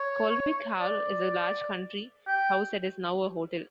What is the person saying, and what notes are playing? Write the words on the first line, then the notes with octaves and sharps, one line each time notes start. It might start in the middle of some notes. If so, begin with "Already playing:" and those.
Colwick Hall is a large country house that is now a hotel.
Already playing: C#5
D5
G5